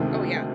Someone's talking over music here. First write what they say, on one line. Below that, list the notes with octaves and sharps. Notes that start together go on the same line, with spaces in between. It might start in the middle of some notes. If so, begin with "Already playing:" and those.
Oh yeah.
Already playing: D2 C3 D#3 G#3